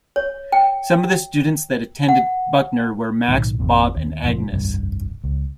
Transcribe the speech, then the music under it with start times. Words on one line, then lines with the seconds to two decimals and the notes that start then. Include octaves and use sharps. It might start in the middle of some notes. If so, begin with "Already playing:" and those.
Some of the students that attend Buckner were Max, Bob, and Agnes.
0.16 C#5
0.52 G5
2.08 F#5
3.28 B1 A2 D#3
3.59 G#1 F2 A#2
3.96 D#2
4.23 F#1 A#2 C#3 F3
4.53 F1 C2 G2
5.24 C#2